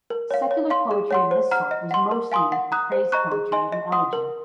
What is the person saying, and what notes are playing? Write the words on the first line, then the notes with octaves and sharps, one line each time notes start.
Secular poetry of this sort was mostly used for praise poetry and elegy.
A#4
C#5 F5
C#5
F5 C6
G#4
C#5 F#5 C6
C5
F#5 A#5 F6
D#5
F#5 C6
A#4
F5 G#5 C6 D#6
F#5
A#5 D#6 F#6
C5
D#5 A#5 C#6 F#6
G#4
D#5 G#5 C6
D#5
F#5 C6 D#6
A#4